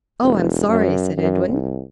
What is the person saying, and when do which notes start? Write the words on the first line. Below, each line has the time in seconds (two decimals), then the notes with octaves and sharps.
"Oh! I'm sorry," said Edwin.
0.23 E1
0.68 F#2
1.17 F#2
1.48 C2